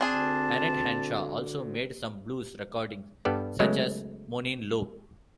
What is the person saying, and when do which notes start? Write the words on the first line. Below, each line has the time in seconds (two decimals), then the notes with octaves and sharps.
Annette Hanshaw also made some blues recordings, such as "Moanin' Low".
0.01 D2 C4 D4 G#4 A5
3.25 G2 G3 B3 A4 D5
3.60 C#3 F#3 G#3 A3 B3